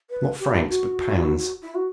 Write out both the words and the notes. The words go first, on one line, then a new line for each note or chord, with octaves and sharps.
Not francs, but pounds!
B4
G4
F#4
E4
F#4